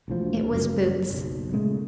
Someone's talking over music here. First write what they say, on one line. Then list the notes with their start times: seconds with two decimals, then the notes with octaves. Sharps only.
It was Boots.
0.08 E1 D2 F3
0.51 F#1 C#2 F#2
1.09 F#1 B1
1.53 A#2 C#3 G#3 A3